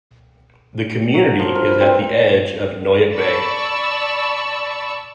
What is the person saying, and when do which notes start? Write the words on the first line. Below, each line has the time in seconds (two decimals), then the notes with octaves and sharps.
The community is at the edge of Noyac Bay.
1.14 F#3
1.39 F3
1.55 A#4
1.69 B4
1.81 C4
3.14 D5 A5 B5 C#6 E6